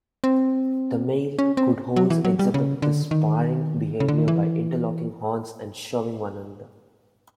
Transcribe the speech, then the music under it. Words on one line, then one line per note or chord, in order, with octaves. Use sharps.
The male kudus exhibit this sparring behavior by interlocking horns and shoving one another.
C4
C#4
C4
F#3
E3
F#3
G3
C#3
D3
D#3
C#3
D3
D#3
E3